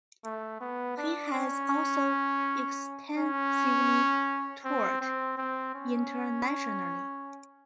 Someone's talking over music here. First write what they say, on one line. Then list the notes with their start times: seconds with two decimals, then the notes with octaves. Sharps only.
He has also extensively toured internationally.
0.24 A3
0.61 B3
0.98 D4
1.34 C#4
3.18 C#4
4.65 C4
5.01 C4
5.38 C4
5.75 C#4